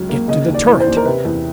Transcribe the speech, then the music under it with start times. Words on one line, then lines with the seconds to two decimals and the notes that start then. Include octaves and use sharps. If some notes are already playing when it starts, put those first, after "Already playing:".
Get to the turret!
Already playing: C#2 C#3 F#3
0.09 A#3
0.28 C#3 D#5
0.48 D#2
0.54 D5
0.67 E3
0.80 C5
0.87 D#2
0.97 A#4
1.05 C3 B4
1.25 E2